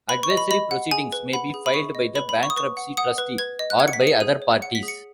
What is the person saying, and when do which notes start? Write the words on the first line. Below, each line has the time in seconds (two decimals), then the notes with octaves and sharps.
Adversary proceedings may be filed by the bankruptcy trustee or by other parties.
0.09 B4 B5
0.23 C#6
0.30 D#5
0.37 B5
0.51 D#5 B5
0.71 F#5
0.91 G#4 G#5
1.12 B4
1.33 F#5 B5
1.54 G#4
1.66 B5
1.74 G#4 C#6
1.95 D#5
2.15 B4 B5
2.29 B5
2.35 F#5
2.43 C#6
2.50 D#6
2.56 B4 C#6
2.77 F#5
2.97 F#5 D#6
3.18 B4
3.38 B4 G#6
3.59 D#5
3.70 F#6
3.79 F#5 G#6
3.88 C#7
3.93 B6
4.01 G#4
4.07 C#7
4.20 G#4 D#7
4.42 C#5
4.62 F#5 C#7
4.75 B6
4.83 G#4
4.88 C#7